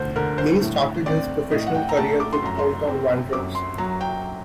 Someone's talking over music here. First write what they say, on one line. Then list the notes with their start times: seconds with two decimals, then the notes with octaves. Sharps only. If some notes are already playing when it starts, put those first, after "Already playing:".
Lee started his professional career with Bolton Wanderers.
Already playing: D2 C5
0.16 D3 A#4
0.38 C5
0.61 A2
1.06 C4 D5
1.51 A2 D#5
1.66 F#5
1.74 G5
1.89 A#5
1.97 A3 A5
2.20 D6
2.33 C6
2.42 F#2 A#5
2.59 C6
2.87 C4
3.33 F#2 D6
3.55 C6
3.78 F#3 A#5
4.01 G5